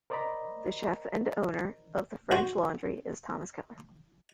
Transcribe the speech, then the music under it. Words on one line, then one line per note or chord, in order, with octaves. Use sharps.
The chef and owner of the French Laundry is Thomas Keller.
A#4 C5 D5 D#5 A#5 B5
F#4 C5